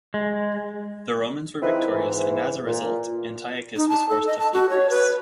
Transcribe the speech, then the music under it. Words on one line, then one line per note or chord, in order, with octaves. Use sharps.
The Romans were victorious, and as a result, Antiochus was forced to flee Greece.
G#3
D#3 F3 G#3 C4 E4 B4
G#2 E3
A#2
D#4
A5
A4
D#5
A5
F#4
C#5
B4